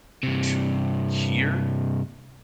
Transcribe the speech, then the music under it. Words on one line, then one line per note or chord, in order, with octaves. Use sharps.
to hear
G2 C3